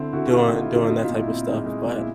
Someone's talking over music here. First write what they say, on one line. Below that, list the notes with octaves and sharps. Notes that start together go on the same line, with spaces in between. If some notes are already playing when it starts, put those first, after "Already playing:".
doing doing that type of stuff, but
Already playing: D3 C4 E4
D3 E4 F#4
F#4
C4 F4 G4
D3 D#4
E4
D3 D#4 F4
C4 D#4 F4
A#2 D#4 F4
E4
C4
G#3 D#4
G#3
A#2
E4